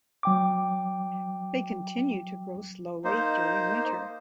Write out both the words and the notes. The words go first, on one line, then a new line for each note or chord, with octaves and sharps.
They continue to grow slowly during winter.
F#3 G5 D6
A#3 D#4 C5